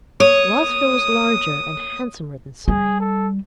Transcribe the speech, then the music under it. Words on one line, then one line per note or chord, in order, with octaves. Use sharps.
Rosville was larger and handsomer than Surrey.
C#5 D#6
G3 G#4
A4